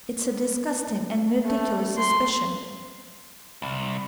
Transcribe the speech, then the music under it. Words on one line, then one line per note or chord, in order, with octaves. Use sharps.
It's a disgusting and ridiculous suspicion.
A3
C6
C2